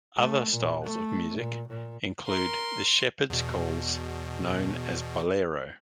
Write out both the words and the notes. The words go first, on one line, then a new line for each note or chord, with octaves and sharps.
Other styles of music include the shepherd's calls known as ballero.
A3
A#2
A3
A#2
A#2
A#4 C6
E2 B2